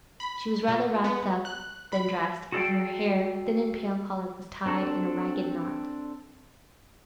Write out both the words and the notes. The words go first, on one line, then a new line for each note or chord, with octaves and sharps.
She was rather wrapped up than dressed, and her hair, thin and pale-coloured, was tied in a ragged knot.
B5
A#2
B3
F#6
B5
F#4 G#4 A4 D5 F5 G5
C4 D4 A4